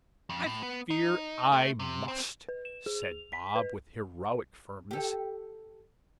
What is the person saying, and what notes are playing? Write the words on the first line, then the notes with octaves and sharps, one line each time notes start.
'I fear I must,' said Bob, with heroic firmness.
F2
A2
B3
D#4
A3
C3
C4
B4
E7
G#4
F7
B6
B4
G4 A4